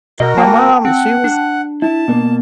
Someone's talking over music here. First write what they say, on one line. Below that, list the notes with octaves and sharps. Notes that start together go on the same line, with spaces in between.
my mom, she was
B2 F#4 A#4 D#5
A#3 G5 A5
C4 F#5
D4
E4 A5
B2 A#3